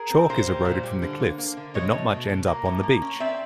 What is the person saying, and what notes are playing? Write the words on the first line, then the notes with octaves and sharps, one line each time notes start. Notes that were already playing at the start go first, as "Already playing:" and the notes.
Chalk is eroded from the cliffs, but not much ends up on the beach.
Already playing: G#4 A#4
C4
A#2 A#4 C5
G3
A#2
G3
D3
A#3
A#3
D3
B2 C#5 D#5
A3
B2
B2
A#3
A2
A#3
C#4
C4 D5 E5